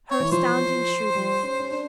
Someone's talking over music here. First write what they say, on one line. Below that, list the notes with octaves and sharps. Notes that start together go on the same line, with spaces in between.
Her astounding shrewdness!
C#5
E3
F3 C5
G3
C#4
C#4
D4